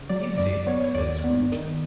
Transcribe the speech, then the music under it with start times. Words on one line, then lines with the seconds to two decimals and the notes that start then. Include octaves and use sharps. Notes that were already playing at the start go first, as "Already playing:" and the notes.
"Is it?" said Scrooge.
Already playing: C#3
0.09 F#3 D5
0.38 F#2 D5
0.67 B3 C#5
0.84 C#5
0.95 D#2 D5
1.24 B3
1.52 D#3